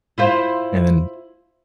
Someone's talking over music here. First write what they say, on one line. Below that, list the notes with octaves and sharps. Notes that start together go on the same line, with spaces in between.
and then
E4 F4 C5